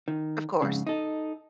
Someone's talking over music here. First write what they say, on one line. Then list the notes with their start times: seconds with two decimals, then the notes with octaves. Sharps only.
Of course.
0.08 D#3
0.62 F2 G#2 C#3
0.87 D#4 A4